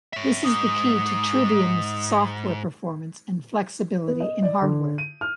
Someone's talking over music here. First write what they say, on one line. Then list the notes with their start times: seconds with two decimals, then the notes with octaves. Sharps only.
This is the key to Trivium's software performance and flexibility in hardware.
0.13 C#5 E5
0.45 G#2 D#6
4.08 B3
4.20 D#5
4.42 D5
4.62 D3
4.98 D#7
5.21 F6